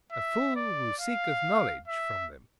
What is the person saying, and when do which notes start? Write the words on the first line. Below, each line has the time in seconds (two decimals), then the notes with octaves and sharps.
A fool who seeketh knowledge from them!
0.12 E5
0.56 D5
1.00 F5
1.88 E5